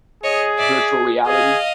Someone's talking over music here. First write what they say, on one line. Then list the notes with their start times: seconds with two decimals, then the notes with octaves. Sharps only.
Virtual reality?
0.23 G#4 C#5 D#5
0.58 D5 E5
1.27 G#4 D#5 F5